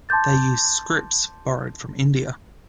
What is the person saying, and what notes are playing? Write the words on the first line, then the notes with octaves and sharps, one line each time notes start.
They used scripts borrowed from India.
A5 C6 D6 G6 A6